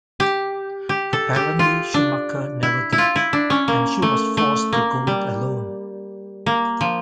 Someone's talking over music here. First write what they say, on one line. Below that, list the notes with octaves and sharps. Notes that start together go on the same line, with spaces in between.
Apparently Schumacher never did, and she was forced to go it alone.
G4
G4
A4
G4
F4
D4
E4
E4
F4
E4
D4
C#4
A#3
A3
A3
A#3
G3
A#3
F3